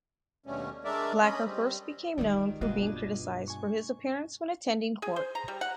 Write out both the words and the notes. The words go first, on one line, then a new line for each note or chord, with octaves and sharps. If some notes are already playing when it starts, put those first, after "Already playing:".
Blacker first became known for being criticised for his appearance when attending court.
D#2 B2 D3 G3 A3 C#4
G#3 A3 D4 A#4 D5 E5
C#4 D#5 B5
G3 C4
D#3 G3 G#3 F4 D5
G2 B2 A#3 F4 F#4 D#5
D4
G#5 C#6
G#4
C5
A#5
G3
F#5